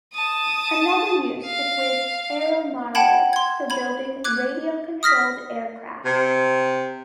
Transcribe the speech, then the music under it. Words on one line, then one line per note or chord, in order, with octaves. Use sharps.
Another use is with aero-modellers for building radio-controlled aircraft.
A5 D#6
F5
F#5 G5 A5 B5 G#6
C6 G#6
B5 G#6
D6 F#6 G#6
D#6 F6 A#6 B6
C3